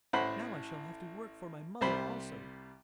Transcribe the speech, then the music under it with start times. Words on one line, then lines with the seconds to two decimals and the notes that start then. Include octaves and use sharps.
Now I shall have to work for my mother also.
0.13 A1 A2 C5 F#5 B5
1.81 C2 G3 C5 B5